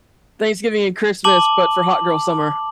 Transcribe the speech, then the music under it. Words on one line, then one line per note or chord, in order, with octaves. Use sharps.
Thanksgiving and Christmas, but for hot girl summer.
A5 D6 F#7